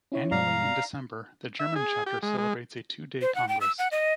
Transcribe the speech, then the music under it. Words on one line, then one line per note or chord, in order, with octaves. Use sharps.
Annually in December the German chapter celebrates a two-day congress.
C#4 E4 C#5
G2 B2 G#3 D5 F5 A#5
E5
G#4
G4
G#3
G#3
C5
F#5
G5
E6
F#5
D#5